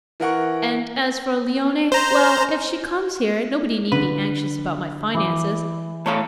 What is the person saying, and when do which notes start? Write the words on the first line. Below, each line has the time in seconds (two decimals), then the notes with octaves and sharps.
And as for Leonie--well, if she comes here, nobody need be anxious about my finances.
0.20 E3 A#4 F#5 C#6
1.92 C5 A#5
3.92 D3 B4 B5
5.15 E3 B5 D6
6.06 A2 C#5 F5 A5 A#5 C#7